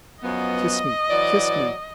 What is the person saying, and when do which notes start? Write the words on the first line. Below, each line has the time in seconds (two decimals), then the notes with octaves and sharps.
Kiss me, kiss me!
0.23 F#2 F3 B3 D#5
1.10 E3 F#3 D5